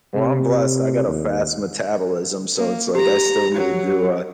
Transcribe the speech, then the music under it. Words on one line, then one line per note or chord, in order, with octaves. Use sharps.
Well, I'm blessed, I got a fast metabolism, so it's like I still need to, uh
C3
D#2
A#3
G4 A#5
F#3